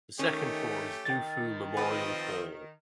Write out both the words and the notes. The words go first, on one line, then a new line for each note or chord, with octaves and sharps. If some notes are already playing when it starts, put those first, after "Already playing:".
The second floor is Du Fu Memorial Hall.
D#3 A3 C#4 G4
D#3 G5 A6
F3 C4 B4 D#5